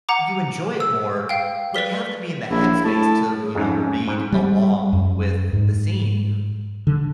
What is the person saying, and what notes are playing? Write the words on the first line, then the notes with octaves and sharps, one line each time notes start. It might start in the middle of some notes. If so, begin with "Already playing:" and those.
you enjoy it more, but you have to be in the headspace to, you know, read along with the scene.
F#5 A#5 D6
E6
F5 G5
B4 D5 B6 G7
A#1 E4
A2 A5
G#4
F2 G#2 C#4
G#2 C4
G3
F#2
G#2
D3